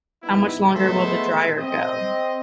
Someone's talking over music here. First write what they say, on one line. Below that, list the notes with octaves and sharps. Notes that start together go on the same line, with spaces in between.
How much longer will the dryer go?
G3 B3 D#4 E4
G#3 A3 B3 A4 C5 E5
C4 D#5